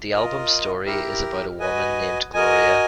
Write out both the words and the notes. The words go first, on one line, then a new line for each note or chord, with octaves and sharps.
The album's story is about a woman named Gloria.
F4 A#4 D#5
E4 G4 A#4
F#4 B4 D#5 G#5
F#4 A#4 D#5 G#5